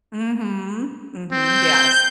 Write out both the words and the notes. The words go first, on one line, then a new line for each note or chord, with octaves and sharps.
Mhm. Mhm. Yes.
C4 G6